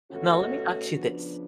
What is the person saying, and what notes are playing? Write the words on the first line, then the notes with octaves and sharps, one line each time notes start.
Now, let me ask you this.
B2 A3 C#4 F#4
C#3 F3 B3 D4